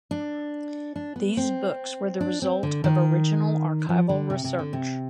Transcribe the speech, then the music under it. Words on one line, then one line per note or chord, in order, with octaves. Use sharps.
These books were the result of original archival research.
D4
D4
B3
C4
D4
C4
D3
D#3
F3
D3
C3
C3
D3
C3